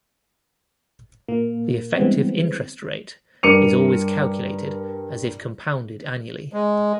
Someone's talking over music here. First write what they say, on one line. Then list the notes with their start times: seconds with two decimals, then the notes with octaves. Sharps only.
The effective interest rate is always calculated as if compounded annually.
1.28 A#2 A#3
1.97 D3 E3 G3 G#3 B3 C4
3.43 G2 A#4 D6 C#7 D#7 F7
6.53 G#3